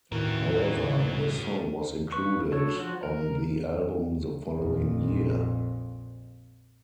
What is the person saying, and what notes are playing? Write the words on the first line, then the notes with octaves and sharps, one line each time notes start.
However, the song was included on the album the following year.
D#2 A2 D#3 E3 F#4 A#4
B4 C#6
D4 F#4 A4 C#5
F3 F#4
A#4
A#1 F2